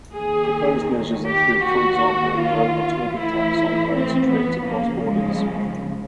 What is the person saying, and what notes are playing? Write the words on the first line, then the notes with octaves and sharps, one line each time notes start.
Proposed measures include for example a global Tobin tax on currency trades across borders.
D#2 D#3 G#4
G4
D#2 D#3 F#4
F4
A2 E3 E4
C4
B3
D#2 C#3 F3 A#3
G#3